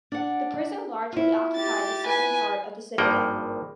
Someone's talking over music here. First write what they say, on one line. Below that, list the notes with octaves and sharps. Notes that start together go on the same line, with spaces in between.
The prison largely occupied the southern part of the citadel.
D4 F#5
E4 F4
G4 A6
B4 G#5
G#1 G2 F3 A#3 F#5 G5